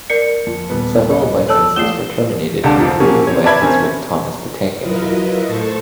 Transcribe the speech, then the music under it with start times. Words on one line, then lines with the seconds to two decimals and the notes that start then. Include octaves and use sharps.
Several licenses were terminated including the license with Thomas the Tank Engine.
0.10 A#4 D5 C#7
0.46 F2
0.70 D#1 B3
1.11 D#5
1.49 A4 C#5 A5 E6
1.76 A3 F4 D5 D#6 C7 E7 G7
2.64 C#2 D3 G4 A5
2.77 F2 G#2 F3
3.00 F3 F#3 A#3 C#4
3.27 C4 C#5
3.44 B4 D5 E5 A5 B5 G#6
3.61 C4 C#4 A#4 G#5
4.80 F#3 E4 F4 A#4 B4 D#5
5.45 A2 A4 C5 A5 C#6